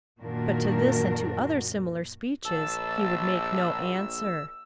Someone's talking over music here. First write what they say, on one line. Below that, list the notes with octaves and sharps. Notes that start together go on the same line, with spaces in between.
But to this and to other similar speeches he would make no answer.
F#2 A#2 D#3 D4 F#4 A#4
A#1 A5 E6